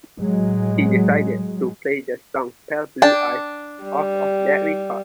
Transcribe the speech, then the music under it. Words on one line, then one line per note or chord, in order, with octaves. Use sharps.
He decides to play the song "Pale Blue Eyes" off of that record.
A2 F#3 G#3
D4 G5 A5
G3